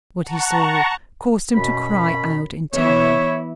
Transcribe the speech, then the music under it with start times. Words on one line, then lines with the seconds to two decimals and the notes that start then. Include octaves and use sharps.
What he saw caused him to cry out in terror.
0.23 F#5 A5 A#5 C#6
1.55 F#2 B2 B5
2.73 E3 B3 E4 C#5